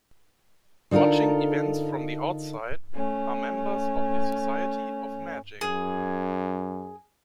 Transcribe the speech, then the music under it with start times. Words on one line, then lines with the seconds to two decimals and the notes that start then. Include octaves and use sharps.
Watching events from the outside are members of the Society of Magic.
0.91 D3 D#4 F4 A4 A#4
2.95 A3 C#4
5.61 F#2 G#4